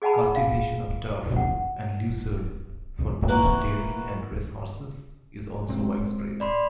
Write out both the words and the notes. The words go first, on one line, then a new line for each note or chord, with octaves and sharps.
Cultivation of turf and lucerne for both dairy and racehorses is also widespread.
G#4 D#5 F#5 G#5 A5 B5
F5
F#5
E3 A#3 F#4
A2 G#3 C4
D5 B5 C6